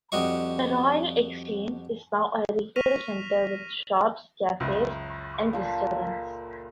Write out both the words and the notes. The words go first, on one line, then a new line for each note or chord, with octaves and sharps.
The Royal Exchange is now a retail centre with shops, cafes and restaurants.
F2 G3 F#4 D#5 C#6
C#6 F6 A#6 B6 D#7 F7
F#1 C#2
A#2 A4